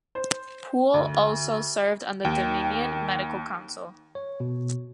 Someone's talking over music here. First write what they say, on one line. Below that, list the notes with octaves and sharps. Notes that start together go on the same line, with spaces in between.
Poole also served on the Dominion Medical Council.
C5
D2
D#2 D#3 G5
C#5
B2